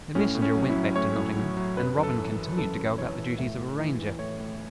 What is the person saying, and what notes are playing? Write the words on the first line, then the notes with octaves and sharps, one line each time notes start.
The messenger went back to Nottingham; and Robin continued to go about the duties of a ranger.
A2 C#4
A2
C#4
F#3
E4
F#3
A2 C#5
A2
F#3
F#3
F#2 B4
F#2
A4
E3
E3
F#2 A4
F#2
E3 C#5
E3
A2 E5
A2
E3
E3
A2 C#5
A2